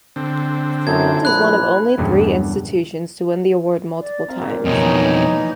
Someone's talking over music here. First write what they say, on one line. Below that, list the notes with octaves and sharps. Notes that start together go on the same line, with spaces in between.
Stevens is one of only three institutions to win the award multiple times.
D3 C4
F#2 D#4 E4 A4 G#6
A#1 B5 F#6
E2 G2 A#2 C#3
D5
C4 F5 A#5
A#2
F2 B2 E3 D#4 C#5